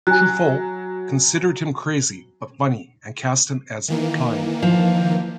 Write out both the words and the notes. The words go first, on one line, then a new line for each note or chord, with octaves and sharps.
Truffaut considered him crazy, but funny, and cast him as Plyne.
F#3 G#5 F#6
D#3 E3 A#3
F3